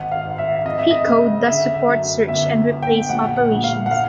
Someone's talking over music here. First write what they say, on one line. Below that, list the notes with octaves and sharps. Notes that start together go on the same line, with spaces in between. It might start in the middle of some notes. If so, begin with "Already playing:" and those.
Pico does support search and replace operations.
Already playing: G#1 F#5
F5
G#2
E5
F2 D#5
E5
D#5
C#3 E5
D3 E5
E5
F#2
G1 E5
G1
G5
A#1 F#5
F#5
A#1
F5
F#5
F5